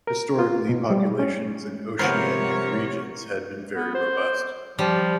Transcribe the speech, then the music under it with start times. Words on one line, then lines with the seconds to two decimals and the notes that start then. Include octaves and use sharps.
Historically, populations in Oceanian regions had been very robust.
0.07 A#4
0.39 F4
0.69 B2
0.90 G3
1.19 C#4
1.99 C3 F3 B3 C4 A#4 C#5
3.76 B3
3.95 C5
4.79 F3 G3